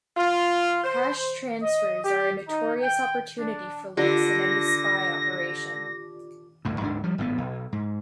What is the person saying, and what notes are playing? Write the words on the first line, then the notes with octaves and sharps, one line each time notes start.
Cash transfers are a notorious opportunity for leaks in any spy operation.
F4
C5
D#5
G4
D#4
G5
D4
D3 F4 G4 D5 A#6
G1 D2 A2
D1 G#2 C#4 D4
F3 G3
G#1 A2 D#3 B3
B1
G#2